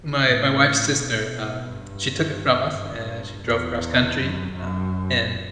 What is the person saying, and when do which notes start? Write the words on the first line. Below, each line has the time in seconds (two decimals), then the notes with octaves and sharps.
my my wife's sister, um, she took it from us, uh, she drove cross country, um, and
0.25 A2
0.96 B2
1.67 G2
2.74 G2
3.46 E2
4.17 F#2
4.53 F#2